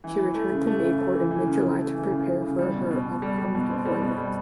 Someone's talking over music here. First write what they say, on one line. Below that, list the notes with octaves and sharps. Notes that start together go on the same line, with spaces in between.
She returned to Mayport in mid-July to prepare for her upcoming deployment.
E3
E3
A3
C#3
A3
C#3
A3
E3
E3
C#3
C#3
A3
E3
C#3
E3
C#3
G3
B2
B2
B2
G3
G3
B2
C4
G3
B2
G3